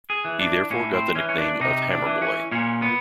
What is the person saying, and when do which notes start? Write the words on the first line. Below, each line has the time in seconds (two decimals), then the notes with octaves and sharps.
He therefore got the nickname of "Hammerboy".
0.10 G#4
0.25 E3
0.39 D4
0.70 A2 C#4
0.93 C4
1.15 E3 C#4
1.29 C#4
1.38 D4
1.60 C3 D#4
1.90 D4
2.06 E3
2.22 C#4
2.51 A#2 C#4
2.82 B3